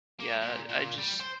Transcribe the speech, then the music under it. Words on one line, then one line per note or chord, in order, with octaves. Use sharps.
Yeah, I just
A#3
A#2
A#2
G3
C5